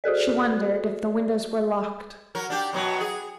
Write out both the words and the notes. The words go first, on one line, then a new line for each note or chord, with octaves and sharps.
She wondered if the windows were locked.
F#4 G#4 A4 D5
F#3 A#4
D4 G4
F#2 B2 F#3
G#4